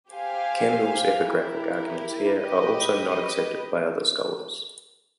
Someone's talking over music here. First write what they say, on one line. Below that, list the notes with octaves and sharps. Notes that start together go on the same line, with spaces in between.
Kendall's epigraphic arguments here are also not accepted by other scholars.
G4 C5 F5 G#5
E4 G4 A#4
G4 B4 D#5